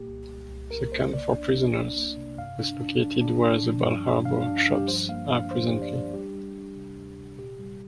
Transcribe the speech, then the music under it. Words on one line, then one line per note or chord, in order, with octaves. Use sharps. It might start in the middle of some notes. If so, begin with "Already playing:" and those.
The camp for prisoners was located where the Bal Harbour Shops are presently.
Already playing: A#2 A#3 G4
C2
C2
C2
C2 A#4
A#3 C5
A#3 D5
D4
D4
D4
A#3
C3
G2 F5
D4
D4
D4
D4
D4
F3
G2
D4
G2 F5
F5
D4
F5
G2 G4
F3 C5
A#3 F5
D4 F5
F3 C5
G4
D4
D5
D4
G3 G4
G3
D4
C3
D2
C3
A#2 G4
G3